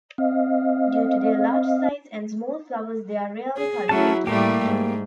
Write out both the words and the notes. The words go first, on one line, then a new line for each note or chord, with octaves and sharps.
Due to their large size and small flowers, they are rarely cultivated.
C4 D#5 F5
G#4
F#3 A3 C#4 E4 A5
A2 G3 A3 A#3 G4
G#2